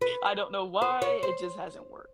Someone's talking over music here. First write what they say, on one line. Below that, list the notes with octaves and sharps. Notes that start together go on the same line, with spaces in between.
I don't know why, it just hasn't worked.
B4
C5
C#5
C5